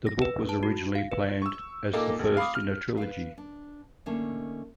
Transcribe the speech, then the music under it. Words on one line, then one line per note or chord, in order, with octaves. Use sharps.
The book was originally planned as the first in a trilogy.
A#6
B4
A5
F#4
F5
B4
C#6 E6
A#2 A#3 D#4 A4 D6
F1
F5 B5 D6 D#6
F6
B4 F5
D4
D3 A3 A#3 C#4 D#4